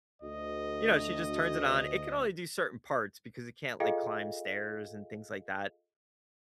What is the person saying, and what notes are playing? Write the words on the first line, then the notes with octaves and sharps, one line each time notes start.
you know, she just turns it on. It can only do certain parts because it can't, like, climb stairs and things like that,
D2 D#5
F4 G#4 A4 D#5 F5 G5